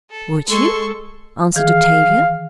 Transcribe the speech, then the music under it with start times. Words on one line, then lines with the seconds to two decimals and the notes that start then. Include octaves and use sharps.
"Would you?" answered Octavia.
0.10 A4
0.48 G#3 A4 C6 C#6
1.56 D#3 E3 G#4 F5